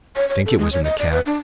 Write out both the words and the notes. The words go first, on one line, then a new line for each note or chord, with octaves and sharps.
I think it was in the cap.
C#5
C#5
A4
G#3
C#5
D#5
D5
B4
D4